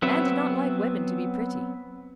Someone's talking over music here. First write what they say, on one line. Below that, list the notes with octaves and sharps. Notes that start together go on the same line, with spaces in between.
Anne did not like women to be pretty.
F#3 B3 C4 B4 E5